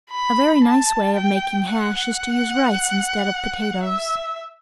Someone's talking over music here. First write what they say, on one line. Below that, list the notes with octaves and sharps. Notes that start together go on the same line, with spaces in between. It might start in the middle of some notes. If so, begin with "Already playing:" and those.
A very nice way of making hash is to use rice instead of potatoes.
B5
A5
G5
F#5
E5